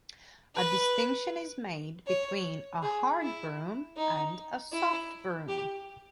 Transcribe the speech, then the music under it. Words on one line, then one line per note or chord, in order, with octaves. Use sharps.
A distinction is made between a "hard broom" and a "soft broom".
B4
C#5
G#4
E4
D#4
E4
G4